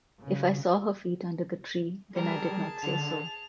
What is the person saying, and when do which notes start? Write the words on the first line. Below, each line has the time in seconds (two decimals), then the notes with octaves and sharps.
If I saw her feet under the tree, then I did not say so.
0.23 C#3
2.16 G3 G#4 A#4 A5
2.83 D3 F7